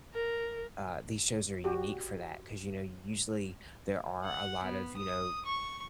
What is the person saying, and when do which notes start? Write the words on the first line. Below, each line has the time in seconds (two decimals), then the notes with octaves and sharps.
uh, these shows are unique for that. 'Cause, you know, usually there are a lot of, you know,
0.14 A#4
1.64 F#4 G4
4.24 F#5
4.63 B3
4.97 D#6
5.45 C#6